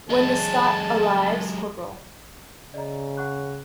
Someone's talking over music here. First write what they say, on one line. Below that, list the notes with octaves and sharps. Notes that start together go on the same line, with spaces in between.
When the Scot arrives, Cpl.
F#3 G#3 A5
C#3 D5 D#5 A#5
F#5 C#6 F#6